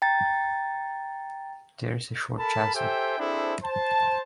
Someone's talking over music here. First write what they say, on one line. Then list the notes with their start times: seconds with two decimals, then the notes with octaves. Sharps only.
There is a short chancel.
0.02 G5 A#5 A6
2.38 A4 A#4 A5 B5
2.74 G4 A4 C5 E5 G5 G#5
3.19 C4 D4 E4 G#4 A4 C5
3.63 C5 A5